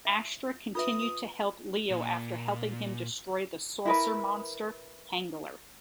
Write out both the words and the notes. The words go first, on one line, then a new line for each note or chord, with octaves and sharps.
Astra continued to help Leo after helping him destroy the Saucer Monster, Hangler.
E5
F4 B4 E5 D#6
A#2
E4 A#4 B4